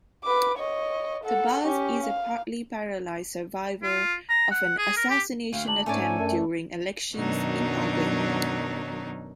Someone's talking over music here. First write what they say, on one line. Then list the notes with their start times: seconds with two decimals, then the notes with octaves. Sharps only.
Tabaj is a partly paralyzed survivor of an assassination attempt during elections in Albania.
0.24 B4 D6
0.57 C#5 D#5
1.24 A4 F#5
1.64 C#4 G4
2.04 F5
3.83 F4
4.29 A#5
4.51 F#5
4.78 G#4
4.97 A#4
5.10 G4
5.53 D2 F5
5.67 D4 D#4 A5 F#7
5.86 G#2 A3 C#4 D5 G#5
6.18 F#2 D4 A4
7.14 F#2 B2 D#3 F#3 D4 D#4